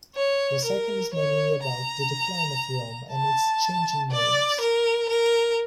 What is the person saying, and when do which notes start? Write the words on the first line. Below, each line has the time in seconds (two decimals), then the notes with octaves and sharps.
The second is mainly about the decline of Rome and its changing morals.
0.15 C#5
0.65 A#4
1.14 C#5
1.64 A#5
3.12 A5
4.11 D5
4.61 A#4
5.09 A#4